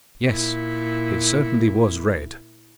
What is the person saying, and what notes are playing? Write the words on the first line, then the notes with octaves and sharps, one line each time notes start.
Yes! it certainly was red!
A#2 E4